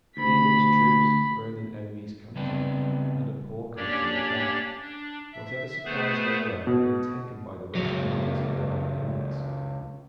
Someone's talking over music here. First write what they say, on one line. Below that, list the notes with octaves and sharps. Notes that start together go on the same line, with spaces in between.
The English troops were in an enemy's country, and a poor country at that; whatever supplies there were had been taken by the Russian armies for their own needs.
D2 B5
C#3 G3 B3 C4 D4
A#3 C#4 D4 G4 C#5 D5
D4
E5
A3 B3 G#4 B4 C5
B2
C#2 F#3